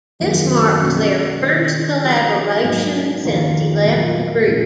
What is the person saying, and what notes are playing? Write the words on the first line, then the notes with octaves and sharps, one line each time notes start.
This marks their first collaboration since he left the group.
F#2 D#3 F#3 A#3
B2 F#3 A#3 C#4
D#3 A#3 C#4 G#4
F3 G#3 D#4 F#4
G#2 F#3 A#3 D#4
F2 D#3 A#3 F4
A#2 F#3 A#3 F4
A#2 F3 G#3 C#4